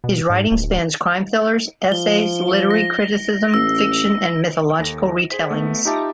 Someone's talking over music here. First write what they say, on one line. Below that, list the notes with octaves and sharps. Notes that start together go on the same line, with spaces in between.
His writing spans crime thrillers, essays, literary criticism, fiction and mythological retellings.
B2
G#2
D1
F3 G7
A#6
A1 E6
D#2 A4 A#6
G#4 C5 B6
A3 B3
D#4 F4 G4 E5 A5 D6